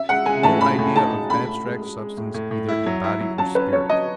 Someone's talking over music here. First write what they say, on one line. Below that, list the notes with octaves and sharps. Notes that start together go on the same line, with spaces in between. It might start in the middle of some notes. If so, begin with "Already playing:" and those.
No Idea of abstract Substance either in Body or Spirit.
Already playing: E5
G#3 F#5
G#3 G#5
A2 A5
G#3 B5
A2
D#4 A5
G#3
A2 B5
A2
G#3
G#3
G#3
A2
A2
A2
E4
F#3
E4
F#3
F#3 A5
C#4 B4
F#3 C#5
F#3 D#5